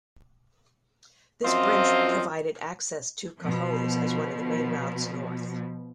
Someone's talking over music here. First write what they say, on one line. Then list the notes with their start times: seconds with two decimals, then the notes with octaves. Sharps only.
This bridge provided access to Cohoes as one of the main routes north.
1.44 F#2 F3 C4 F4 D#5 C6
3.39 B2 F3